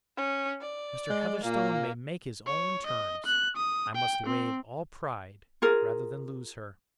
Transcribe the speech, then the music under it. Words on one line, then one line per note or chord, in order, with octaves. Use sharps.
Mr. Heatherstone may make his own terms; I must wave all pride rather than lose her.
C#4
D5
G#3
A#2 A#3
C#5
D#5
F#6
D#6
G5
C4
F4 G#4 A#4